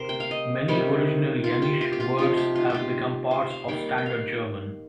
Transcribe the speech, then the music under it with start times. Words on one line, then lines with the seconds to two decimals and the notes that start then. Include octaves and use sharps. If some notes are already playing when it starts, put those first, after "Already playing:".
Many original Yeniche words have become parts of standard German.
Already playing: C3 G4 A#4 C5
0.09 G5
0.20 F5
0.31 D#5
0.68 C3 D#3 G3 D#4
1.44 F4
1.62 G4
1.81 F4
1.93 G4
2.00 F4
2.18 C3 F3 D#4 F4
2.37 G4
2.56 F4
2.70 F4 G4
3.31 C5
3.50 F5
3.68 D#3 G3 A#3 G5
3.98 G5
4.06 F5